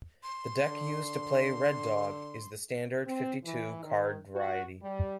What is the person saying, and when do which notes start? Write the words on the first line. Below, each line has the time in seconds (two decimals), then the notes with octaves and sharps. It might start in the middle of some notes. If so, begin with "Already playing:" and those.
The deck used to play red dog is the standard, fifty-two-card variety.
0.23 C6
0.67 D3
3.06 C4
3.44 E3
3.83 D#3
4.35 F#4
4.82 G3